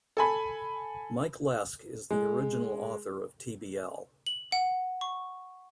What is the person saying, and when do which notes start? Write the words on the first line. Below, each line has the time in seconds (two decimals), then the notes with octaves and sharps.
Mike Lesk is the original author of tbl.
0.17 A4 G#5 B5
2.11 G#3
4.26 F#7
4.52 F#5
5.01 C#6